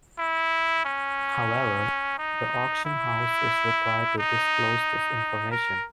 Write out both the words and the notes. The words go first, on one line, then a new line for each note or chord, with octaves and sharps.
However, the auction house is required to disclose this information.
E4
C#4
D#4
E4
D#4
A#4